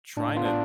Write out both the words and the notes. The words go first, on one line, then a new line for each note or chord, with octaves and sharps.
trying to
A2 D4
B3 F4
D4